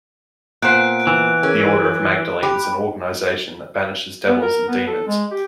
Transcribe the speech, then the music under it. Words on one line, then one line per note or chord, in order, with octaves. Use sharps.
The Order of Magdalene is an organization that banishes devils and demons.
A#2 B3 C5 F#5 F#6 B6 D7
E3
C#4 G#4 A#4
C6
G4 B5
B3
A#4
B3
A4
G#3
G4